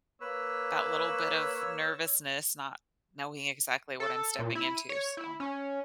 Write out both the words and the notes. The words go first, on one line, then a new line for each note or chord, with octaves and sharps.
that little bit of nervousness not knowing exactly what I'm stepping into, so.
A#3 B4 C#5 E6
A4
A#2
E4
D#7
C#5
E4
C#4